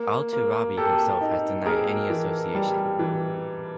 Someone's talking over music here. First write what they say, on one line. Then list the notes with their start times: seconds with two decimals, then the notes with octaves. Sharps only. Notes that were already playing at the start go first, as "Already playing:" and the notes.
Al-Turabi himself has denied any association.
Already playing: A#3
0.33 A#3
0.77 A#3 G4 A4
1.21 D#4
1.66 A#3 G#4 A#4
2.10 E3
2.55 G3
2.99 E3